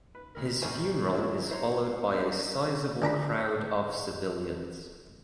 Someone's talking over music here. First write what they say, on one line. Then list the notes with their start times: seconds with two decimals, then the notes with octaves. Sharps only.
His funeral is followed by a sizeable crowd of civilians.
0.15 B4
0.35 D2 A#4
0.62 A#1 A4 A#4 C5 G#5 C#6
1.13 F3 F#3 A#3 D4 E4
1.51 E4 C5 C#5 A#5 C6
2.17 G3 D4 D#4 B4
3.02 D2 D4 A#5 B5